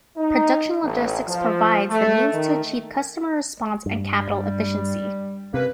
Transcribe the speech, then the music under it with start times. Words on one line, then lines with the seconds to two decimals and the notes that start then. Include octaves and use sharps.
Production logistics provides the means to achieve customer response and capital efficiency.
0.17 D#4
0.83 A1
1.28 F3
1.90 A3
2.33 D#3
3.86 G2
4.23 G3
5.54 C3 A#3 C#4 B4